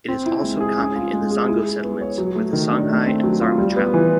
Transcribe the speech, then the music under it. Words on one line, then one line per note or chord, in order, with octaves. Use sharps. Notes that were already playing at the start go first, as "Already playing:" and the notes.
It is also common in the Zongo Settlements where the Songhai and Zarma travel.
C4
E4
G#3
G#4
C#4
F4
G#3
G#4
E4
G#4
B3
C#5
F#3
A3
D#3
D4
A3
C4
F#3
F4
G3
B3
E3